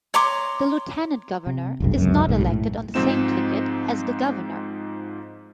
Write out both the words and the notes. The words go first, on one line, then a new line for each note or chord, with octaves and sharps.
The lieutenant governor is not elected on the same ticket as the governor.
C#5 A#5 C6 D6
C3
F1 B1 G2
C#2 F#2
B1 G#2
A2
G#2 F3 C4 D#4 E7